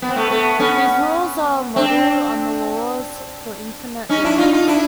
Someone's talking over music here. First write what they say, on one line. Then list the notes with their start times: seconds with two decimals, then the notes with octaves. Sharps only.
These rules are modeled on the laws for infinite limits.
0.02 B3
0.09 C4
0.16 A3 B3
0.30 A3 B3
0.59 B3 C#4
1.76 C4 D4
4.09 C#4 D#4
4.24 D4 E4
4.38 D#4 F4
4.53 D#4 F4
4.68 D4 E4